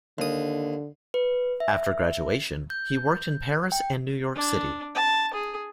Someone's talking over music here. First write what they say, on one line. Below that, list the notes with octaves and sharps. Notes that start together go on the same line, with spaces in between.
After graduation, he worked in Paris and New York City.
D#2 D3 D#6
B4
E5
G6
G5
D4
A5
G#4